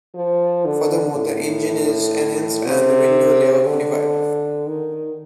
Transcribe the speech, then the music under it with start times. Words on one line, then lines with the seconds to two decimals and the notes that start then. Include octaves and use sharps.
Furthermore the engine is enhanced and the window layout modified.
0.14 F3
0.65 D3
1.15 A2
2.66 C3
3.67 D3
4.67 D#3